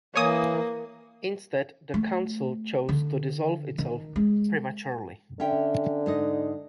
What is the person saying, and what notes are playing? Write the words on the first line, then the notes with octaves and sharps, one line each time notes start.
Instead, the council chose to dissolve itself prematurely.
E3 A#3 C#5 G#5 D#6
A3
D3
D#3
G#3
D3 C#4 E5 G5
G#2 D#4 D#5